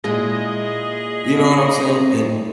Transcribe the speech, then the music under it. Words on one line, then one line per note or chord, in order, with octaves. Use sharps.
You know what I'm saying? And
A#2 G#3 E4 G#4 D#5